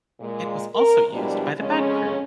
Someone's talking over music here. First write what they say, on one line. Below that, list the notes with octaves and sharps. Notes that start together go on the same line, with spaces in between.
It was also used by The Bad Crew.
A#2 G#3
A#4
B2 F3 G3 G#3 D4 E4
F2 C#3 G#3 C#4